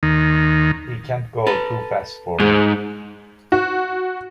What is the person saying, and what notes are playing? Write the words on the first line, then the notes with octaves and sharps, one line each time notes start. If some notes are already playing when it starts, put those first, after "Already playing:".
He can't go too fast for me.
D#2 D#3
A4 B4
G#2 G#4
F#4